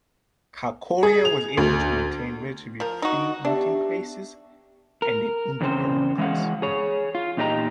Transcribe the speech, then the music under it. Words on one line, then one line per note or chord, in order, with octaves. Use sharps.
Cachoeira was able to maintain relatively free meeting places and an independent press.
G#4
F7
D2
F3 A#4
D#4 F#4
B3 D4 G4 E5
A#4
E2 C#3 C4 C#4 C5
E3 G#3 D#5 F5 F#5
G#4 C#5
F4
E2 A#2 D#4 G4 D#5 A#5